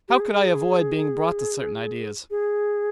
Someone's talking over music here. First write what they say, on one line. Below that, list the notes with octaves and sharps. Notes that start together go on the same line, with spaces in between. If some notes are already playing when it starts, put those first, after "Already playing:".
How could I avoid being brought to certain ideas?
G4
G#4
G#4